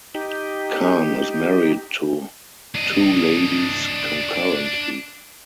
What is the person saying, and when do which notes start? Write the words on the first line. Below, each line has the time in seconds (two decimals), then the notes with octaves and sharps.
Khan is married to two ladies concurrently.
0.15 D#4 G4
2.75 D4 D#5